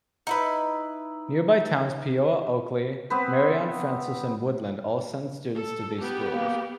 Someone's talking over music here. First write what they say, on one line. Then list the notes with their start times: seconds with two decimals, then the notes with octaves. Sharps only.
Nearby towns Peoa, Oakley, Marion, Francis and Woodland all send students to these schools.
0.27 D#4 E4 B4
3.10 B3 C4 B4
5.55 A4
6.00 B3 G4
6.30 A#3